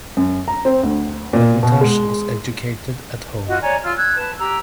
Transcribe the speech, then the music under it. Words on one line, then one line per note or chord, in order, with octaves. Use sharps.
Armitage was educated at home.
F#2
A#5
C4
D2
A#2
B2
G#3
F4 F#4 D#5
C#5 D5 G#5 A#5
F4 C6 E6 F6
E6 F#6 G#6
B4 A5
G4 A#5 E6